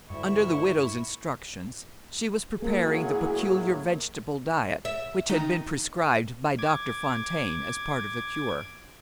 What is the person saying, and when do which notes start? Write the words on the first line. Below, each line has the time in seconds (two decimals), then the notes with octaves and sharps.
Under the widow's instructions, she was preparing the peculiar vegetable diet which had been prescribed by Doctor Fontaine as part of the cure.
0.10 D2 G2 E4 C#6
2.62 A2 F#3 A#3 G#4 F#5
4.85 E5
5.29 D#3 D#4
6.59 D6 G#6